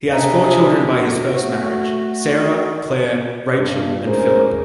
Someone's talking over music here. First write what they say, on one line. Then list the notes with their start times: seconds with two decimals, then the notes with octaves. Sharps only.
He has four children by his first marriage, Sarah, Claire, Rachel and Philip.
0.13 C3 D4 G#4 D#5 E5 A#5
0.88 A3 F#4
3.58 G2
4.06 G#3 C#4 G#4 A#4 C5